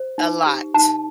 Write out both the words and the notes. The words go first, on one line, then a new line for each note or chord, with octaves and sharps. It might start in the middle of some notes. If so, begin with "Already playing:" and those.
A lot.
Already playing: C5
D#4
G4
D#4 A5